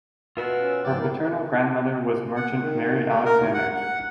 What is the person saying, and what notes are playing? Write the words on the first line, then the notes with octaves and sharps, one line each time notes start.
Her paternal grandmother was merchant Mary Alexander.
B2 F4 E5 F#5
C#4
G#2 F3 D5 G5
B3 E4 A#4
F#5
D#3
A3
A#4
D#2
F#5
F#5